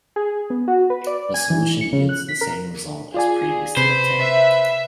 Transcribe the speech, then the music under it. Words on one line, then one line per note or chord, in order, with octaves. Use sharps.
The solution yields the same results as previously obtained.
G#4
B3
F#4
B4
D5
G#5
E3
C#7
C#3
F#6
B6
A#4
F4 G#4 D5 G#5
C3 B4 C5
E5